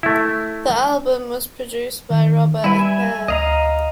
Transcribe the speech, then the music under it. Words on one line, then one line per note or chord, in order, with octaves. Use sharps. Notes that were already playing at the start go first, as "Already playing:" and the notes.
The album was produced by Robert Appere.
A3 E4
D#3
G3 E4 B4
E5 G#5
D2 D#5 F5 A#5